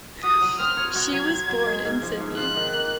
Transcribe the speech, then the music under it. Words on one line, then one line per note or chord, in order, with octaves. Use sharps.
She was born in Sydney.
F#4 D#6
F#3
C4 F6
C#5
F#4 G#6
F#3
C4
F#3
G#3
G#2
F3
G#2
F4 F#6
D#3
A#3